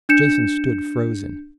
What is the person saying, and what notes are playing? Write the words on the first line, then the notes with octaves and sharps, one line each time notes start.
Jason stood, frozen.
D4 G6 C#7 E7